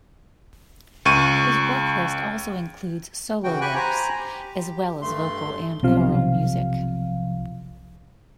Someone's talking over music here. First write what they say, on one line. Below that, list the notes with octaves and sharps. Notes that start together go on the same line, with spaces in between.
His work list also includes solo works as well as vocal and choral music.
C#2 C#6 D#7
C#3 E3 F#4 G5
G4 G5 G#5 B5 C#6 F#6
C5 G#5 A#5 B5
G4
G2 A3 C6
B1 C3 F3 F5